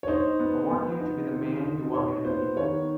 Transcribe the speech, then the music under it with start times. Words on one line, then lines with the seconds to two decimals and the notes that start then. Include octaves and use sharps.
I want you to be the man you want me to be.
0.03 C#5
0.08 D#4 C5
0.39 B3
0.70 B3
1.00 D#4
1.32 D#3
1.63 D#4
1.94 D#4 C#5
2.25 B3 C5
2.56 D#3 C#5